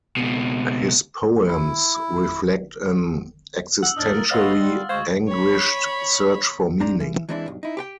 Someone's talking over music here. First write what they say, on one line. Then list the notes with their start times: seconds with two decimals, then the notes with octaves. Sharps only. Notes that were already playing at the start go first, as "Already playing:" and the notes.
His poems reflect an existentially anguished search for meaning.
0.17 C#2 B2
1.47 E4
3.83 F#5 E6 F#7
3.97 E2 A2 D4 D#4 D#6 F6 A6
4.11 F3 A#4
4.31 B4 C#5 D#5 F5 F#5 C6
4.56 G3
4.89 D2 G#3 C5 F5 C#6 G#6
5.29 C#5 B5
6.80 C4 D4 A#5
7.00 E3
7.29 E3 G#3 C4 D4 E4
7.46 B1 G2
7.63 D#4 E4
7.77 G4 B4 G5